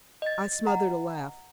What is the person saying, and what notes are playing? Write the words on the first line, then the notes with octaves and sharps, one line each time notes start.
I smothered a laugh.
D#5 A6
F#5 A#5